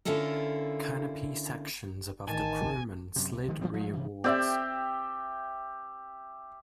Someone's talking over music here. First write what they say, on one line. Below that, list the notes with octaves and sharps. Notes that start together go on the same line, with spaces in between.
Canopy sections above the crewmen slid rearwards.
D3 C#4 E4 F4 A4 A#4
A1 D#3 G#5 A5
F#2 C3
C2
D#3 F3 G#3
E3 F#3 G3 C4
F3 G#3 A3
C3 E3
C4 G4 D5 E5 G5